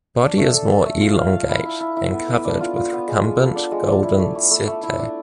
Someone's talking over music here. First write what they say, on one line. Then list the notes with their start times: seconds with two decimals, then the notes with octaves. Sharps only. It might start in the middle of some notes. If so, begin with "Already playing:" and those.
Body is more elongate and covered with recumbent golden setae.
0.21 D4
0.38 A3
0.54 A4
0.70 A4
0.85 A3
1.01 F4
1.17 F5
1.33 F5
1.49 E4
1.65 E4
1.80 E4
1.97 E4
2.12 B3
2.28 B3
2.45 D4
2.61 F4
2.77 F4
2.92 B3
3.08 G#3
3.24 G#3
3.40 A4
3.56 D4
3.72 G#3
3.87 D4
4.03 E4
4.19 A3
4.35 A3
4.51 A3
4.67 A3
4.83 E4
4.99 D4